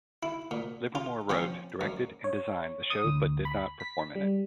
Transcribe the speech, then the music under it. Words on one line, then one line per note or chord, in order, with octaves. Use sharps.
Livermore wrote, directed and designed the show but did not perform in it.
E4
A#2
F4
F3 C4 C#4
F#2
C#5
D#6
D2
B5
B6
G3